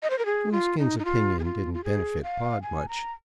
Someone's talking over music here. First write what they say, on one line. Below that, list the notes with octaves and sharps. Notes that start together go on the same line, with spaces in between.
Coonskin's opinion didn't benefit Pod much.
D#5
C5
A#4
G#4
F4
D#4
D#4
F4
G#4
F4
F4
G#4
F5
G#5
A#5